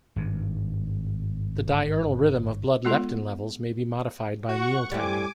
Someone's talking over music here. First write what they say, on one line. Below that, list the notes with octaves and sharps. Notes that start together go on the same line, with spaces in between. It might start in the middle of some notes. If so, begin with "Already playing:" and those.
The diurnal rhythm of blood leptin levels may be modified by meal-timing.
G#1 G2
G#3 B3 F4 A4 F#5
F#4 F#5 C#6
A2 G3 C4 G#5 D6